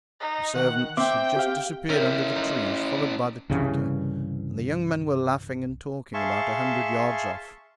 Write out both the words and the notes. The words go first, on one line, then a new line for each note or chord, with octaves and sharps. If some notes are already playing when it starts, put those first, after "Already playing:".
The servants had just disappeared under the trees, followed by the tutor, and the young men were laughing and talking about a hundred yards off.
D#4
D#3 F#5
C4 E5 G5 D6
G4 F5
C#4 E4 A#4 E5 G5
D#4 B5 C6
C2 G2 C#3 E3
G#4 E5 F5 A5 C6 C#6